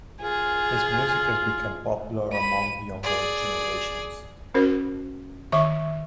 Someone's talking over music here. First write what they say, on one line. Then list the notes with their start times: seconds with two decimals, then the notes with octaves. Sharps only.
His music has become popular among younger generations.
0.22 F4 G#4
2.33 B5 D#7
3.03 G#4 D5
4.54 C#4 F#4 A#4 C5
5.52 D#3 E5 C#6